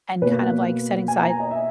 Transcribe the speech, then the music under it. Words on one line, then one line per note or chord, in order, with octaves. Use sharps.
and kind of like setting aside
B2 A#3 B4
G#5
A#5
G#5
D#5
E5